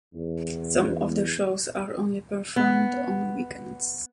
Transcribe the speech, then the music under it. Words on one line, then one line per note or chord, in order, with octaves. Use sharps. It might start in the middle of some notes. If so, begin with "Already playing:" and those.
Some of the shows are only performed on weekends.
E2
B3